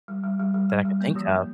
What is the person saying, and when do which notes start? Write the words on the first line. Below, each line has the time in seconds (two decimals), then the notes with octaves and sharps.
that I can think of.
0.08 G3
0.24 G3
0.40 G3
0.54 G3
0.70 G3
0.85 G3
1.01 A#3
1.15 F3 G4
1.31 A#3